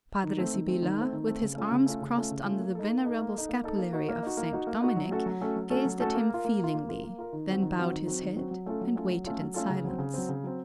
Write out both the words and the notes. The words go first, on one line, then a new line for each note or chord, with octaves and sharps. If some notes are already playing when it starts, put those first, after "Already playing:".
Padre Sibyla, with his arms crossed under the venerable scapulary of St. Dominic, gazed at him feelingly, then bowed his head and waited in silence.
D#3
A3 C4
D#3
A3 C4
D#3
A3 C4
D#3
A3 C4
C#3
A3 C#4 F4
C#3
A3 C#4 F4
C#3
A3 C#4 F4
C#3
A3 C#4 F4
A#3
D#4 A4
A#3
D#4 A4
A#3
D#4 A4
A#3
D#4 A4
A#3
D#4 F#4
A#3
D#4 F#4
A#3
D#4 F#4
A#3
D#4 F#4
F#3
A3 C#4 F#4 A4
F#3
A3 C#4 F#4 A4
F#3
A3 C#4 F#4 A4
F#3
A3 C#4 F#4 A4
A#3
F4 A#4
A#3
F4 A#4
A#3
F4 A#4
A#3
F4 A#4
D#3
F#3 C4 F#4
D#3
F#3 C4 F#4
D#3
F#3 C4 F#4
D#3
F#3 C4 F#4
F#3
A3 C#4 F4 A4
F#3
A3 C#4 F4 A4
F#3
A3 C#4 F4 A4
F#3
A3 C#4 F4 A4
C#3
F#3 C4
C#3
F#3 C4
C#3
F#3 C4